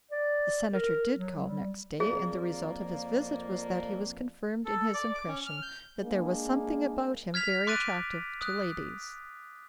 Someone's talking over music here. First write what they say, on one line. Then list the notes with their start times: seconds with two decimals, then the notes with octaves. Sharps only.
The Senator did call next day, and the result of his visit was that he was confirmed in his impression that there was something about him very attractive to ladies.
0.11 D5
0.74 A#4
1.15 F#3
1.45 G3
2.00 F2 A#3 G#4 D5
4.65 A4
4.94 D5
5.15 D6
5.27 C#4
5.46 F6
5.62 G6
6.01 G#3 A#3 D4 G#4
7.34 F6 G#6 B6 F7
7.67 C6 D6 F#6 A6 D7 D#7
8.41 D#6 F#6